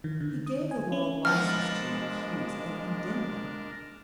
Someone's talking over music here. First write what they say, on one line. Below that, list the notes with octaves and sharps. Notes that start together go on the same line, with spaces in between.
He gave the Law license to accuse and condemn Him.
D#3
D3
D#6
G#5
C#4
F3 G#3 B3 D4 A#4 A5 F6